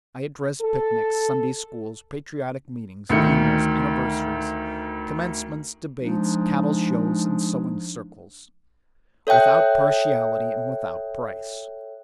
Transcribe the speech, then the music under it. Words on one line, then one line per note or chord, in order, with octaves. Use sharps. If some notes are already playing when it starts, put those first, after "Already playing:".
I addressed picnics, Sunday-schools, patriotic meetings, funerals, anniversaries, commencements, debates, cattle-shows, and sewing-circles without partiality and without price.
A4
D2 D#3 C#7
F3 G#3 D4 D#4
A4 C#5 E5 G5 F#6